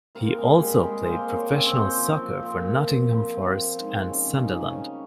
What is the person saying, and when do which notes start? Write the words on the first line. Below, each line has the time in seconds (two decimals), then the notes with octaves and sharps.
He also played professional soccer for Nottingham Forest and Sunderland.
0.15 A#3 C4 A#4
0.38 G#3 G#4
0.55 G#4
0.61 G3 C4 G4
0.83 G#3 G#4
1.02 A#3 C4 A#4 C5
1.36 C#5
1.51 C4 C#4 C#5
1.66 C4 C5
1.97 F3
2.43 A#2
2.88 F3
3.34 C4
3.79 G#3 D#4
4.09 C#4
4.25 C#3
4.39 D#4
4.70 G3 C#4